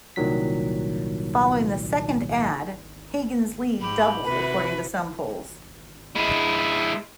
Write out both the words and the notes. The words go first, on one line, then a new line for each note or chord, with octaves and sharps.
Following the second ad Hagan's lead doubled according to some polls.
C2 A#2 D#3 F#3 B6
G#2 G4 B5
C3 E4 F#4 B4
G#3 E4